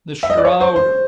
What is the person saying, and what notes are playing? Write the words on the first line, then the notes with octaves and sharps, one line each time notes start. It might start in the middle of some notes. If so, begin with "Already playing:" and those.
The shroud!
E5
D#5
D5
C#5
C5
C5